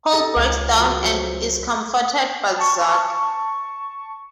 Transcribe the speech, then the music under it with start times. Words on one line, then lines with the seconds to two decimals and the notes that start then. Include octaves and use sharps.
Paul breaks down and is comforted by Zach.
0.12 G4 A4 D#5
0.36 C#2 F#5 A#5
0.78 F3 B3 F#4
1.03 F#3 C5
2.58 A5 C#6